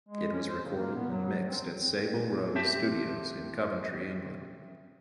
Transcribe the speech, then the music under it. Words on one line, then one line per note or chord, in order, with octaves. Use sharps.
It was recorded and mixed at Sable Rose Studios in Coventry, England.
G#3
C#4
C5
C#3
A#3
B3
F#3
F#3
C4
C4 G4 E5 A5